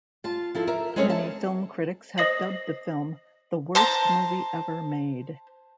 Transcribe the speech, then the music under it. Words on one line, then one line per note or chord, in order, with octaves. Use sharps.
Many film critics have dubbed the film the "worst movie ever made".
F4 A5
F3 E4 A4
A#4 E5
G#3 C4 C#4 G#4 A4 C#5
E5 A5
C5 D#5 D#6 A#6 C7 F#7
C5 A5 A#5